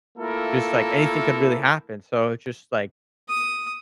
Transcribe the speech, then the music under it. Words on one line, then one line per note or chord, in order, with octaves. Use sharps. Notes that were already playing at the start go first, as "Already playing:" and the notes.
just, like, anything could really happen so it's just, like,
A3 A#3 E4 F4 A4 A#4
D#6